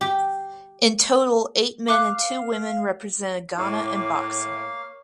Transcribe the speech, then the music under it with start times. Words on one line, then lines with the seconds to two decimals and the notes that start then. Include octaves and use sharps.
In total eight men and two women represented Ghana in boxing.
0.01 G4
1.88 F5 D6 F#6
3.58 A2 A#3 E4 C#5 F5 D6